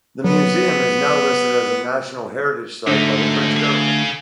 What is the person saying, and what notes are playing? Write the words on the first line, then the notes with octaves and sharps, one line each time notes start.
The museum is now listed as a National Heritage site by the French Government.
F#3 B3
G#2 D3 A3 D#4
G#4 F5